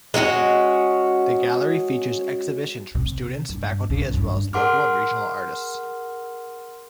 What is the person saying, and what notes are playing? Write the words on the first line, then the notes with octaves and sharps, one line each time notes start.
The gallery features exhibitions from students, faculty, as well as local and regional artists.
G#3 C#4 E4 F#4
C3
G2
C#3
G2
G#4 A#4 F#5 C6 D6 F6